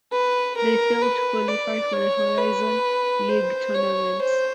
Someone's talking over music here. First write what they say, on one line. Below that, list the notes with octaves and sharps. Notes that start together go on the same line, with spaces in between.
They failed to qualify for the Horizon League Tournament.
B4
A#4
B4
D5
C#5
B4
C5
C#5
C5